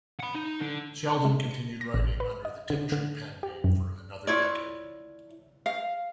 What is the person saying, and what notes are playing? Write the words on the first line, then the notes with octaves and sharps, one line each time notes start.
Sheldon continued writing under the Tiptree pen name for another decade.
F#5 B5
D#4
D3
C#6
G#3
C#7
A#6
A1
B4
D#5
D3
D3
G4
F#2
E4 F4 C#5 D5
F5